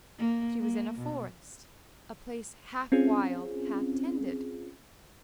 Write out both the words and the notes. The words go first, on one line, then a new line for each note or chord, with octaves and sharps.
She was in a forest, a place half wild, half tended.
A#3
A#3
B2
C4 C#4 F4 G#4